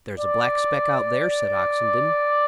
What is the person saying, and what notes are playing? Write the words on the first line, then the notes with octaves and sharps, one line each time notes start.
"There's a black speck out there," said Oxenden.
D5